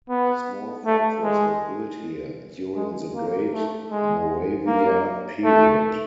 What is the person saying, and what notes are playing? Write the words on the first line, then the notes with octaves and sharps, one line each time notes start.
A small fortress was built here during the Great Moravia period.
B3
A3
G#3
G#3
A#3
A3
G#3
A#3
A3